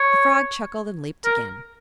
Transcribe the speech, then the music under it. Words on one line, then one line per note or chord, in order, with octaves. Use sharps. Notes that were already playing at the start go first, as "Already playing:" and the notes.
The frog chuckled and leaped again.
Already playing: C#5
A#4